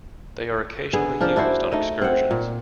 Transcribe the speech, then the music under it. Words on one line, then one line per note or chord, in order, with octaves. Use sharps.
They are occasionally used on excursions.
D3 B3 G#4
F3 A#3 D4
D4 E4 F#4 C5
A3 D#4 D#5
C4 F#5
A#2